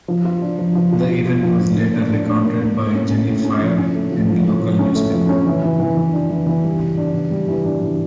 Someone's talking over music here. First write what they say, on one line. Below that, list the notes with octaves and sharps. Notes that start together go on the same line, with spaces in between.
This event was later recounted by Jenny Frye in a local newspaper.
F3
F4
D4
F3
F3
F4
F4
F4
F3
F3
A#3
D4
D4
D4
A#3
A#3
A2
C#4
C#4
A2
C#4
F3
C#4
A3
F3
F3
A2
F3
C#4
A3
F3
C#4
E3
E3
E3
E3
D4
E3
E3
G3
E3
D4
E3
G3
E3
D4
E3